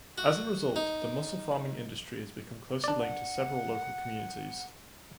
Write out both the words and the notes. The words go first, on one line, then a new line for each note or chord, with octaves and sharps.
As a result, the mussel-farming industry has become closely linked to several local communities.
F#4
D#4
D4 D5
F#5